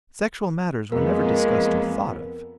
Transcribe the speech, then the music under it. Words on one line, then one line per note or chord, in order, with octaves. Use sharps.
Sexual matters were never discussed or thought of.
F2 G#3 A#3 B3 A#4